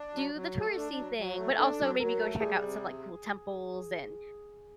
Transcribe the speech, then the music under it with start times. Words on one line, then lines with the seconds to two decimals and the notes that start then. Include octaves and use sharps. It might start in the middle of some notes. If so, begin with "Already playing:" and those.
do the touristy thing, but also maybe go check out some, like, cool temples and,
Already playing: D4
0.14 F#3
0.34 F#3
0.56 A3
0.76 D4
0.96 F#3
1.17 F#3
1.37 A3
1.58 D4 A4
1.79 F#3
2.00 F#3 A#4
2.20 A3
2.41 G3 G#4
2.61 C3